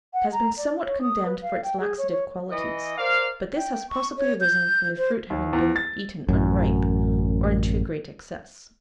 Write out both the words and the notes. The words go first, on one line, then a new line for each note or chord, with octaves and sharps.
It has been somewhat condemned for its laxative qualities, but this has possibly arisen from the fruit having been eaten unripe, or in too great excess.
F#5
A#5
D5
C#5
D#6
B4
F5
G5
G#4
C#5
C#5
E3 D#5
A#4 C5 D5 F5
G5
C#6
C#5
G6
C5
D#2
E2
A6
A1 F#2